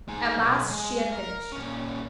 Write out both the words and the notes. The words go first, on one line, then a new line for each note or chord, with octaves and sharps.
At last she had finished.
G#3 D#4
B1
G#3
A#4
A#2 C#4